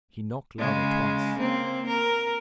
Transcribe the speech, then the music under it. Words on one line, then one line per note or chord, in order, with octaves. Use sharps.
He knocked louder twice.
C#3 G#3
A#3 C4
A#4